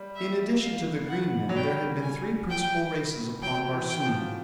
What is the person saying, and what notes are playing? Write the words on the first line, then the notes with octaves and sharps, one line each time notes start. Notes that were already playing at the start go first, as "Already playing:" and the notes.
In addition to the green men there had been three principal races upon Barsoom.
Already playing: G3
E5
F5
F#5
F#3
G3 G5
G#5
G5
F#3 G5
E3
G5
F3